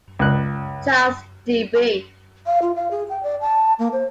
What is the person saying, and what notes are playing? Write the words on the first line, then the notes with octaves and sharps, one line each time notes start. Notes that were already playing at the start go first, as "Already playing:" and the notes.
Charles D. B.
C#2 F#6
F5
F4
F5
G#4
G5
D5
A5
A#3
C5